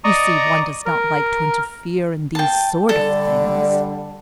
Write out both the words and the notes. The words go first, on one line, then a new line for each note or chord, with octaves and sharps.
You see, one does not like to interfere in these sort of things.
D5 D#5 A#5 C#6 D#6
A#4
G5 A5
D3 G3 A4 D5